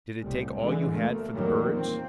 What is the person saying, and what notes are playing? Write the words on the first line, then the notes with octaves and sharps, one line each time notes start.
"Did it take all you had for the birds?"
C2 A2 G3
D3 E3 G#3
D2 A3 A#3
E2 A#2 D#3 F#3 G3 A#3
A#3 C4